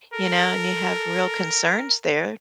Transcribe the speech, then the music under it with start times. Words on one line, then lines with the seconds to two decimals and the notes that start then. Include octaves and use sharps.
you know, and you have real concerns there,
0.13 A4 A#4